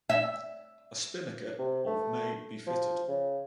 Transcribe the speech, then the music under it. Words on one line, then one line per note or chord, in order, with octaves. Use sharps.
A spinnaker of may be fitted.
E5
C3
A3
F3
C#3